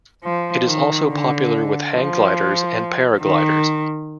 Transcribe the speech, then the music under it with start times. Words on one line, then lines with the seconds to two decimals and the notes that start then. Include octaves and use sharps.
It is also popular with hang gliders and paragliders.
0.24 F3
0.66 D#3
1.08 D3
1.94 F3
3.22 D#3